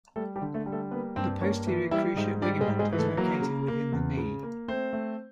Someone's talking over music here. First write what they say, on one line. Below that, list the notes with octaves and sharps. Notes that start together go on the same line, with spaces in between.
The posterior cruciate ligament is located within the knee.
G3 A3 A4
G3 G4
D3
A3 A4
G3
A3 A4
A#3 B3 B4
G2 C4 C5
A#3 C#4 C#5
E3
G3 E4 E5
G#2 D#4 D#5
G3 D4 D5
G#3 G#4
G#2
G#3 G#4
E3
A3 A4
F#3 A#3 A#4
C#3
A#3
E2
C#3
A#3
A3 C4 C5
A3